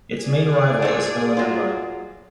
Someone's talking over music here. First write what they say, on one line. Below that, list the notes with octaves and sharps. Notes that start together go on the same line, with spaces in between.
Its main rival is Vila Nova.
G#4 D5
A#2 A3
F#3 F4